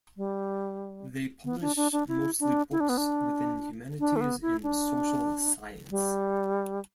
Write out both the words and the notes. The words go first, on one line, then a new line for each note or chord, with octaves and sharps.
They publish mostly books within humanities and social science.
G3
B3
D4
D4
D4
E4
D4
E4
D4
B3
D4
D4
A3
B3
E4
D4
G3